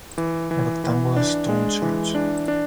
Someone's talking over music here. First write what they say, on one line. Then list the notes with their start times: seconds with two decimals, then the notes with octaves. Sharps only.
A rectangular stone church.
0.18 E3
0.51 E3
0.84 E3
1.16 D4
1.49 G#3
1.82 E3
2.15 D4
2.48 D4